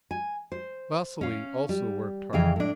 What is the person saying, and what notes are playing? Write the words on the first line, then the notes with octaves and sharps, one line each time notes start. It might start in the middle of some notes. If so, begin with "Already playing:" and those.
Vasily also worked hard.
G#5
C5
C#4 F5
G3
F2 C#3 E3 G#4 F5 G5
A2 D4